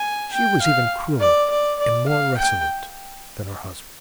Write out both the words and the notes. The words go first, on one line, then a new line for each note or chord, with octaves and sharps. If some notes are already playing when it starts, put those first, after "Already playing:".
She was even crueler and more resolute than her husband.
Already playing: G#5
G5
F5
D5
D5
D5
F5
G5